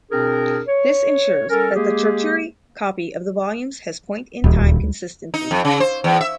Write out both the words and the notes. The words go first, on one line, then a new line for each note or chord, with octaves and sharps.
This ensures that the tertiary copy of the volumes has point-in-time consistency.
B2 C4 D4 G#4 A#4
C#5
G3 C#4 A4 A#4
G#3 A#3 G4 G#4
D#1 D2 G3
D#4
F2
C#3
C5
E2
E5